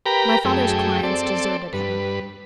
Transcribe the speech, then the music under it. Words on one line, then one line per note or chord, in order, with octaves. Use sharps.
My father's clients deserted him.
G4 A#4 B4 G5 A#5 B5
F#2 A3 G#4 G5
C4 A4 D5
G2 B4